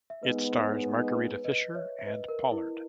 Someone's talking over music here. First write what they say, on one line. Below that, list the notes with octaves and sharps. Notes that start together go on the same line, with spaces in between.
It stars Margarita Fischer and Pollard.
E5
G#3 B3 D#4 B4 D#5
C#5
B4
B4
B4 D#5
C#5 E5
E5
B4 D#5
A#4
E4